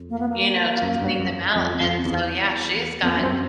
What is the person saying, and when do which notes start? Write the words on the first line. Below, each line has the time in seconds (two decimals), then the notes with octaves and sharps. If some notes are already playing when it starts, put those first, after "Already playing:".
you know, to clean them out. And so, yeah, she's got
Already playing: F2
0.10 A#3
0.19 B3
0.29 A#3
0.82 F#2
1.02 G2
1.20 F#2
1.56 F2
1.81 F2
2.05 E2
3.03 F2 B3
3.16 C#4
3.21 F#2 C4